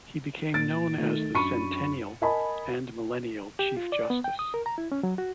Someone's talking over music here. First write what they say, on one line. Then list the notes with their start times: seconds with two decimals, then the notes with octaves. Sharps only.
He became known as the Centennial and Millennial Chief Justice.
0.54 A#2 A6 D7
0.98 D#3 A3
1.34 F#2 D4 B5 C#6 C#7 D#7
2.22 A#4 D#5 G#5 A5 B5
3.59 G4
3.77 F4
3.92 D5
4.10 B3
4.24 G5
4.39 D#6
4.54 A#4
4.66 A#5
4.78 E4
4.92 C#4
5.03 F#3
5.18 F#4